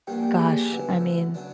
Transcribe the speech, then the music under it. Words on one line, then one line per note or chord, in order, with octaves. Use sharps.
Gosh, I mean,
A#1 A#2 G3 B3 D4 G4 G5
G#5
G4 G5
G#4 G#5
D2 C#3 F#3 B3 E4
C#3 F#3 B3 D4